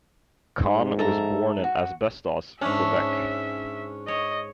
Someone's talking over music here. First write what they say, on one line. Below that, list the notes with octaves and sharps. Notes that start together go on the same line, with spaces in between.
Conn was born in Asbestos, Quebec.
G#2
A4 E5 A#5
F#4
G#2 C#4 D4 E5
C#5 D#5